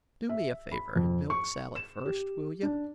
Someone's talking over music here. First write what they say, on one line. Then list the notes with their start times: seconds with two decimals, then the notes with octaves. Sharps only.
Do me a favor and milk Sally first, will you?
0.29 E5
0.72 B5
0.96 F2
1.30 C#6
1.76 E7
2.06 G4
2.63 D4